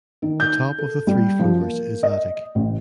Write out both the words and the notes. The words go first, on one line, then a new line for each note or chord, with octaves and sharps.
The top of the three floors is attic.
D#3
G6
A4
G3
F3
A#3
D#5
A1